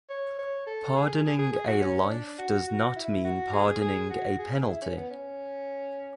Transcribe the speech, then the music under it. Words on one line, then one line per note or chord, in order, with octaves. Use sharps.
Pardoning a life does not mean pardoning a penalty.
C#5
C#5
A4
G#4
G#4
G#4
G#4
F#4
C#4
D4
F#4
F#4
E4
F#4
G#4
G#4
F#4
G#4
E4
C#4
B3
C#4